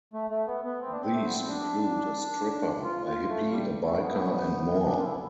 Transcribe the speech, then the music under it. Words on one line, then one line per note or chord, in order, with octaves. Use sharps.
These include a stripper, a hippie, a biker, and more.
A3
A3
B3
B3
C4
D4
C4
A3
B3
C4
D4
F4
F4
A3
G3
A3
B3
D4
F4
E4